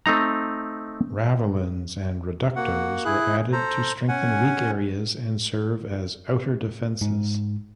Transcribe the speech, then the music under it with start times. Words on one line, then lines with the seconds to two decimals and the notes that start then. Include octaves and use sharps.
Ravelins and "reductos" were added to strengthen weak areas and serve as outer defenses.
0.06 A3 C4 D#4 A#5
2.56 A#3 F#4 F#5
3.05 E4 G#4 F#6
3.52 A4 C5 A#5
4.08 C#4 F#5 G#5
7.01 G#2